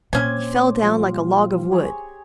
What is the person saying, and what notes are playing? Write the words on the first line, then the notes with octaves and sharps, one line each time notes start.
He fell down like a log of wood.
A#2 C4 C#4 C5 G#5 D6
F3 G3 F4
G4 G#4 C#5